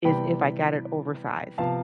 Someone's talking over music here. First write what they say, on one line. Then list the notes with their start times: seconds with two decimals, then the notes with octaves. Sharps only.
is if I got it oversized,
0.05 C3 E3 G3 B3 G5 B5
1.58 C3 F3 B3 F5 A5